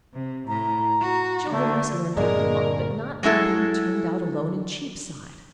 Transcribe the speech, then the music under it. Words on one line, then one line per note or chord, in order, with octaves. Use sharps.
Children must learn to walk, but not by being turned out alone in Cheapside.
C3
A2 A#5
F#4
D3 A3
G2 A#2 D3 G#3 A#4 D5
F#3 G#3 E4 A4